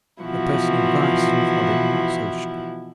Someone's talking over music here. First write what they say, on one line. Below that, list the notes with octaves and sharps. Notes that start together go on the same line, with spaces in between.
A person whose vices and follies are not sociable.
B2 E3 F3 E4 F#4